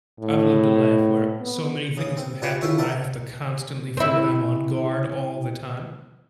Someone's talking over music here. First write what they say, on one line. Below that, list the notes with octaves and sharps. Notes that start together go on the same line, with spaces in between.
I've lived a life where so many things have happened that I have to constantly feel like I'm on guard all the time
A2
B3
C#3 D#6
C4
D4 F4 G4 B4 D5
E4 F4 G#4 C#5 E5 F5
A#4 D5 E5 F#5 A5
C4 E4